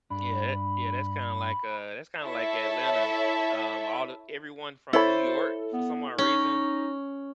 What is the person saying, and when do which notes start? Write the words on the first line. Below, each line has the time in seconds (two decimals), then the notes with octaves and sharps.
Yeah it yeah, that's kinda like uh, that's kinda like Atlanta. Um, all the everyone from New York, for some odd reason,
0.10 G2 D4 B5
2.23 E4 A4 C#5 E5
4.93 E4 A4 C5 C#5 B5
5.73 B3
6.18 C#4 D#4